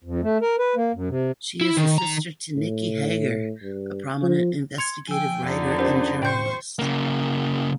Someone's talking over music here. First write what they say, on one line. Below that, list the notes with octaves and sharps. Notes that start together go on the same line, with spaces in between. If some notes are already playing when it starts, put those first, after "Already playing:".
She is a sister to Nicky Hager, a prominent investigative writer and journalist.
F2
A3
A#4
B4
A#3
F#2
C3
E4
D#3
D#3 A#5
A2
G2
F3
C6 G#6 C#7 F7
F3 G5 G#5 E6
F2 D3 D#4
C#4 D4 G4 A#4 C5
A2 C5 G5 C#6 G6
C#3 A#3